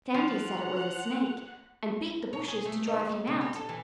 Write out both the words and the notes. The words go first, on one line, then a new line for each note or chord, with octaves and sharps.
Sandy said it was a snake and beat the bushes to drive him out.
F3 F#5 F7
C#5
G#4
A3
D#4
D#2
C#3
G3
A4
E3